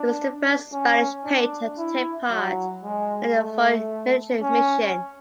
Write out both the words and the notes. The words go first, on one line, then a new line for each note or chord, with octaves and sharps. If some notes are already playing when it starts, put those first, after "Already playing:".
He was the first Spanish painter to take part in a foreign military mission.
Already playing: D4
C#4
D4
E4
F#3
G#3
A3
C#4